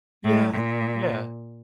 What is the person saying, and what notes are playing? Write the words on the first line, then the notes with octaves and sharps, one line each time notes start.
Yeah, yeah,
A2
A#2